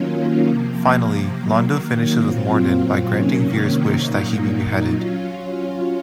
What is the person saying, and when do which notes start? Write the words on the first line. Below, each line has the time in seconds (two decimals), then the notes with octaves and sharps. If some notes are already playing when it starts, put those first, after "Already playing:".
Finally, Londo finishes with Morden by granting Vir's wish that he be beheaded.
Already playing: D#3 F#3 A#3 C#4 F4
0.47 C3 F3 A#3
1.36 D#3 F#3 A#3
2.25 A#2 F#3 C4 F4
3.14 C3 D#3 F#3 A#3 C#4
4.03 A#2 F#3 A#3 D#4
4.92 F#3 C#4 F4